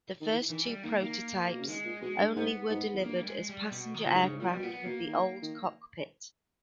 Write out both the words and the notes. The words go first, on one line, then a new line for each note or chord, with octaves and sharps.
The first two prototypes only were delivered as passenger aircraft with the old cockpit.
D#3
E3
D#3 E3
G3
D#3 A#3
D#3 A#3
A#2
B2
C#3
D#3 G#3
A#2
B2 G#3
G2
G#2 B3
G#2
E2
G2 A#3
G3
G#3
G3
B2
D#3
A#2 C#3
G#2
G2
G#2
A#2 G3
B2
A#2 B3
B2 A#3
D#3
D#3